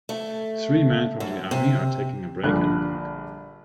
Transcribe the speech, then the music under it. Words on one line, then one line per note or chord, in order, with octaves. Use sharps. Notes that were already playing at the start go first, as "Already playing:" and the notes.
Three men from the army are taking a break in a park.
A3
F#2
C3
A#1 G2 D3 F#6